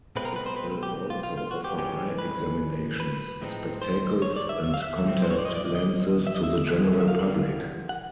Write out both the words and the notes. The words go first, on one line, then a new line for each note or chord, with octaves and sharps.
It will also offer eye examinations, spectacles and contact lenses to the general public.
B2 G#3 C4 F4 B4
A#4
B4
C5
B4
G4
F4
F4
F4
F#4
G4
A2 F3 G#3 C#4 G4
B4
B4
A2 F3 G#3 C4 D#4
C5
C#5
D5
E5
E5
F5
E5
A2 F3 A3 C4
C5
C#5
D5
D#5
D5
D5
D#5
E5
D#5
E5
F2 C3 E3 G#3 B3
E5
F5
F#5